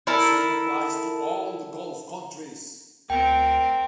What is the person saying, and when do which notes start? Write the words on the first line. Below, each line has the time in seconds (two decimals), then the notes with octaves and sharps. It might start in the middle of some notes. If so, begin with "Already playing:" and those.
The same applies to all the Gulf countries.
0.07 E4 A4 A#4
3.10 D2 C4 A#4 G5